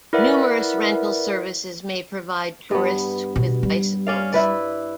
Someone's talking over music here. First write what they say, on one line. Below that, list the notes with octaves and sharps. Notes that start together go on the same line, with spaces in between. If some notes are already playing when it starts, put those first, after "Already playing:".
Numerous rental services may provide tourists with bicycles.
E4 A#4 B4 D5 E5 F#5
G2 B3
B2
G3
C#4 D5 F5
E4 B4 D5